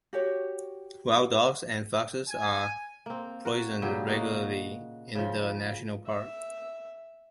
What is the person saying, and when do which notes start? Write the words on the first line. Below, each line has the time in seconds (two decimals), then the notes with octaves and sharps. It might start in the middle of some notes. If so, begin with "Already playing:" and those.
Wild dogs and foxes are poisoned regularly in the national park.
0.13 F#4 G4 C#5
2.28 G#5
3.06 A#3 C4
3.45 F#4 A#4
3.82 A#2 C#3 F#3 G4
4.07 A#3 F#4 D#5 F5
5.15 C#3 F3
6.07 E5